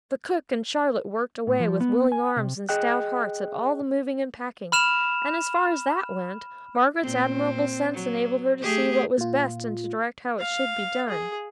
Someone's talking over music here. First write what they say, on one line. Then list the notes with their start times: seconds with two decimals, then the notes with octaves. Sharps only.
The cook and Charlotte worked away with willing arms and stout hearts at all the moving and packing; and as far as that went, Margaret's admirable sense enabled her to see what was best, and to direct how it should be done.
1.47 A2
1.60 F3
1.80 B3
2.12 G#5
2.36 C3
2.69 G#4 D#5 G5 F#6
4.72 B5 F6 E7 F7
7.02 A#2 C4
7.94 F#3
8.61 A3 G4 G#4
9.17 A#2 F4
10.39 F5
11.09 G#4